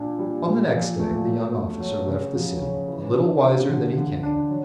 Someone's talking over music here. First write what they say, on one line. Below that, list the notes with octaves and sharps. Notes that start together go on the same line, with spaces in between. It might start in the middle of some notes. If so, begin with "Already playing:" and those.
On the next day the young officer left the city, a little wiser than he came.
Already playing: A#2 D4
G3
A#2
F3
A3
F#3
B2
F#3
C#3
F3
C#3
E3
D4
F4
D3
D3
D4
F#3